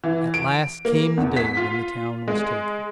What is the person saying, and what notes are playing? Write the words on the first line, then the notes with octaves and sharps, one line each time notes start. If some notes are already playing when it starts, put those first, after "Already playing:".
At last came the day when the town was taken.
E3
D7
A#3
E2
B6
F4
G#3